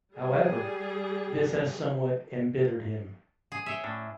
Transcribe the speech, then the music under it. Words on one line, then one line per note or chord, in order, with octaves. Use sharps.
However, this has somewhat embittered him.
G3 G#4
G#4
G#4 C#5 E5 G5
A2 C#4 D4